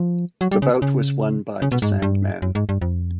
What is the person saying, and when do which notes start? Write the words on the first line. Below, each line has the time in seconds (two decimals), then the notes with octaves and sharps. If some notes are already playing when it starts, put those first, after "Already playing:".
The bout was won by The Sandman.
Already playing: F3
0.41 F#3
0.51 G3
0.62 C#3
0.82 C#3
1.62 C#3
1.72 B2
1.82 G#2
1.92 G2
2.02 G2
2.42 F#2
2.55 G#2
2.69 G2
2.81 F2